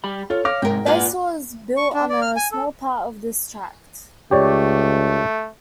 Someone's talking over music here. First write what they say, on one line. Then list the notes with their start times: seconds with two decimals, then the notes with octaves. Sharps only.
Basehor is built on a small part of this tract.
0.04 G3 B5
0.30 F4 A4 C#5
0.45 C#5 F5 D6 A#6
0.62 G#2 C3 G#3 A#4 G5
0.86 A#2 F4 B4 D5 F#5 G#5
1.77 C#6
1.94 D4
2.09 D5
2.22 F6
2.36 G#5
2.52 A4
4.31 C#2 A3 G4 C#5 D5